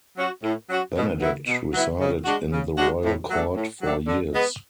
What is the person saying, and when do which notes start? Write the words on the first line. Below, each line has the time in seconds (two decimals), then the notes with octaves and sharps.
Benedict resided in the royal court for years.
0.17 F#3 C#4 F#4
0.43 A2
0.70 F#3 C#4 F#4
0.96 B2
1.21 F#3 B3 E4
1.47 B2
1.74 F#3 B3 E4
2.00 C#3
2.25 G#3 D4 F#4
2.52 C#3
2.78 G#3 D4 F#4
3.03 A2
3.29 F#3 A3 D4
3.55 A2
3.81 F#3 A3 D4
4.07 D3
4.34 G#3 B3